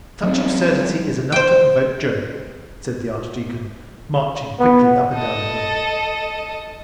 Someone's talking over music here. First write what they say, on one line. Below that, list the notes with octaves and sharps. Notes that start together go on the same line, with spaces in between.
"Such absurdity is enough to provoke Job," said the archdeacon, marching quickly up and down the room.
F#3 G3 C4
C5 G5
B3
A4 D#5